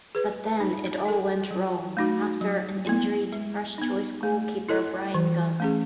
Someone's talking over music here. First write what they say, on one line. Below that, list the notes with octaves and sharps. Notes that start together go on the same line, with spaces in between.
But then it all went wrong, after an injury to first-choice goalkeeper Bryan Gunn.
G#4 B4
D#4
A4 D#5
F#3
A3 D#4 F#4
F#3
B3 E4
G#3
B3 D#4
A3
E4 A4 D#5
E3
A3 C#4 G#4